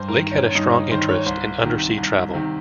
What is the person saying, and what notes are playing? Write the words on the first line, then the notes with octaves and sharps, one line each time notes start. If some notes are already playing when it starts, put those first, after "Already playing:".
Lake had a strong interest in undersea travel.
Already playing: G2 C5
A#4
D#3
C#4
G2 D#4
D#4
D#3 C5
C#5
C2 C5
C3 D#3
C2
C3 D#3